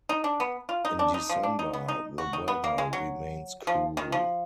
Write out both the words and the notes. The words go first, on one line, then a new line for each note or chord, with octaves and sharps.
In December, the weather remains cool.
D#4
D4
B3
F4
D#4
D4
D#4
F3
D4
D#4
B3
D#4
F#4
D#4
B3
A#3
G#3
F#3
F3
D#3
F3